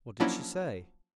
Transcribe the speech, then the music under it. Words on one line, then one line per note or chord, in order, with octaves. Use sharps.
"What did she say?"
F3 F#3 A#3 C#4 D4 E4